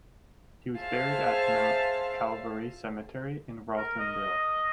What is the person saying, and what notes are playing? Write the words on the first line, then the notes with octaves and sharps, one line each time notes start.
He was buried at Mount Calvary Cemetery in Roslindale.
G#4 C5 E5 F5 A5
A#4
D#5